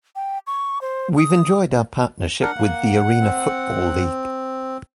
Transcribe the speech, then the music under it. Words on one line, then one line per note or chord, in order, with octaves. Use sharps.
We've enjoyed our partnership with the Arena Football League.
G5
C#6
C5
D#6
D4 A#4 F#5
A#3
C4